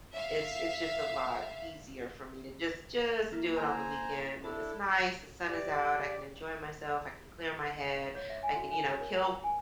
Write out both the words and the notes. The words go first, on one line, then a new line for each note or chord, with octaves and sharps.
it's it's just a lot easier for me to just just do it on the weekend when it's nice, the sun is out, I can enjoy myself, I can clear my head, I can, you know, kill
E5 F5
A#3 E4
C5 G#5 A#5
D4 E4 A4
G4 D5
C#5
E5
G#5
F#4
G#5
C#5
A#4
G5
G#5